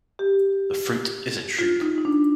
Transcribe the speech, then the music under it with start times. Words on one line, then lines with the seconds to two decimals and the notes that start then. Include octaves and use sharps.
The fruit is a drupe.
0.19 G4
1.59 F4
1.82 D#4
1.98 D#4
2.05 D4